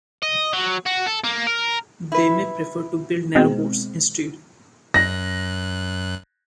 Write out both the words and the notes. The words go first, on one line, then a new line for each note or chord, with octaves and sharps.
They may prefer to build nanobots instead.
D#5
F#3
F#4
A4
A#3
A#4
E4 B4
B2 G#3 C4
F#2 F#6 A#6